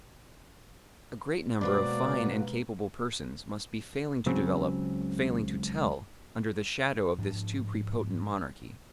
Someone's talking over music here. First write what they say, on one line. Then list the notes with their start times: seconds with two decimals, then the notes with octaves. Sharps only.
A great number of fine and capable persons must be failing to develop, failing to tell, under the shadow of this too prepotent monarchy.
1.61 B2 D3 F3 G#3 A#3 F#4 B4 D5
4.26 C#2 C#3 F#3 C4
7.18 G#2 F3 C#4 D4